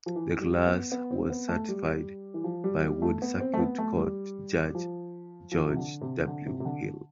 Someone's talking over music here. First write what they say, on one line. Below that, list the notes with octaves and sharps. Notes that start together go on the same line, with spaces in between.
The class was certified by Wood Circuit Court Judge George W. Hill.
F3
E3
G3
B3
B3
C4
B3
A3
G3
E3
F3
G3
G3
A3
B3
C4
A3
B3
A3
G3
F3
F3
C3
D3
C3
D3
C3
C3
D3